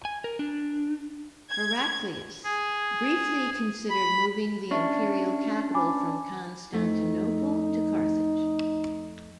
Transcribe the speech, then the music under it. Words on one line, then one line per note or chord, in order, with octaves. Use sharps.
Heraclius briefly considered moving the imperial capital from Constantinople to Carthage.
G#5
A#4
D4
G#6
G#4
B5
C#4 D4 E5 C#6
G#5 B5 D6
F2 A3 D#4